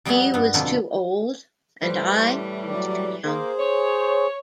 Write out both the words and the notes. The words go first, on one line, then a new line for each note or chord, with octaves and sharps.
He was too old, and I was too young.
F2 G3 B3 F#4 G#4 G#5
G2 B3
F2 B2 D3 A#3 G#5
A2 E3 G3 B4 C5
F#3 D5
A#3 G#4 C5
C#5